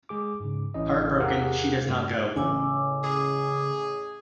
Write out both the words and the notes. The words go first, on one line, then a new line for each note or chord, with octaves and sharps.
Heartbroken, she does not go.
G#3 G#4 D6
G#2 C#3
A1 E3 C#4 E4 D#5
E2 G4 G#4 A#4 F5 F#5
G2 C3 G3 A3
A1 C#3 G#5 D6 E6
G#4